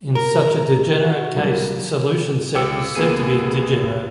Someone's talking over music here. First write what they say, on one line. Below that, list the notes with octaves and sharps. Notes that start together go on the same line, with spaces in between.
In such a degenerate case, the solution set is said to be degenerate.
A#4 A#5
F#4
B1 G3 A#3
C#2 G5 D6 E6 C#7
C#2 A#3 B3 G#4 D#7